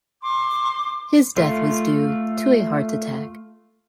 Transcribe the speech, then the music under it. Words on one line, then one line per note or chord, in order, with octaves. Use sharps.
His death was due to a heart attack.
C6 D6
A3 F4